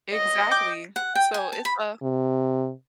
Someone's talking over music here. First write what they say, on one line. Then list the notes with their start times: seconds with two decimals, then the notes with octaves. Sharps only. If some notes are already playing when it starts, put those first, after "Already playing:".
Exactly. So it's a
0.14 D#5
0.51 G5 D6 G6
0.96 F#5
1.15 G5
1.34 G#5
1.53 A5
1.65 B5
2.02 C3